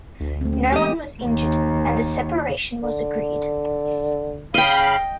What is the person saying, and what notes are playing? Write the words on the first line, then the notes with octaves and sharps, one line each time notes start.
No one was injured and a separation was agreed.
D2
A3 C4
C#4
E3 G#3 A#3 G4 D#5
D#2
D3
C#3 D#5 F5 G5 B5